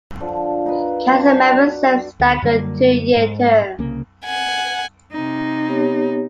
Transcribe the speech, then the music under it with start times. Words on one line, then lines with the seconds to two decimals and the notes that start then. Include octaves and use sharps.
Council members serve staggered two-year terms.
0.20 D3 F3
0.66 D#4 F4 A#4 B4
1.10 D4 F#4
2.20 D2
2.42 F#2 D3 G3 A#3
3.17 G#2
3.79 C2 C#3 A#3
4.25 F#5 G#5
5.12 C3 D#4
5.68 B3 G4 C#5